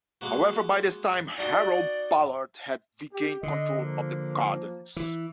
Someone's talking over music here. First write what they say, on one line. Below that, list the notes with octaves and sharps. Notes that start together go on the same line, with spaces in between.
However, by this time Harold Ballard had regained control of the Gardens.
G#3 A#3 F#4
D#4 F#4 D5 G5
G4
D3 D#5
F3 A#3
E3